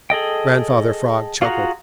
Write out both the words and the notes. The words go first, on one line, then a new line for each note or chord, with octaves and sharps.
Grandfather Frog chuckled.
G#4 A4 D#5 G5
F4 F#4 G#4 F#5 A#5